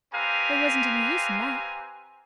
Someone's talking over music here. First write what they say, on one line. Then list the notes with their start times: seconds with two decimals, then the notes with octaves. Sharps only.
There wasn't any use in that.
0.13 C4 G4 B4 F5 G#5 A#5